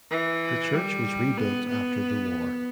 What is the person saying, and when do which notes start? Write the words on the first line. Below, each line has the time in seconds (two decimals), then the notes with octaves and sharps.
The church was rebuilt after the war.
0.10 E3
0.74 G3
1.38 B3
1.68 B3